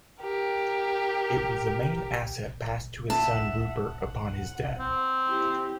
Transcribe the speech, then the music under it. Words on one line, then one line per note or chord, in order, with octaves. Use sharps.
It was the main asset passed to his son Rupert upon his death.
G4 A#4
E5 F#5 A5
F#5
C4
E4 G4